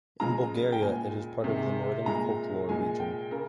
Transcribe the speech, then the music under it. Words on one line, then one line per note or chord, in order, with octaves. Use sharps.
In Bulgaria it is part of the "Northern folklore region".
C#3 F3 G#3 A#5
G5
A#2 G#3 G#5
C3 D#3 G#3
A#2 G#3 A#5
A#2 G#3 G#5
G5
C#3 A#4